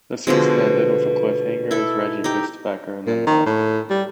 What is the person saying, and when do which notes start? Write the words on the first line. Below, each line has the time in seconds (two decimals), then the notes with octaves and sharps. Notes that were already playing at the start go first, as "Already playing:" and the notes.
The season ended with a cliffhanger as Reggie kissed Becker and then left.
0.27 B2 D3 F3 G#3
1.71 E4 A4
2.24 D#4 G4
3.07 A#2
3.27 D#3
3.46 A2
3.90 G3